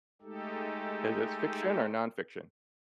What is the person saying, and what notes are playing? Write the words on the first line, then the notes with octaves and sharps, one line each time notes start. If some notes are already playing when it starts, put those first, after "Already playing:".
Is this fiction or nonfiction?
G#3 A3 D#4 G4 A4